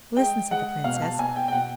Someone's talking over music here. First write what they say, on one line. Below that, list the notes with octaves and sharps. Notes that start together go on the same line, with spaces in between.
'Listen!' said the Princess.
G#3 G5
G#3 F#5
B2 F5
A5
B2 G#5
G5
G5
B2 F#5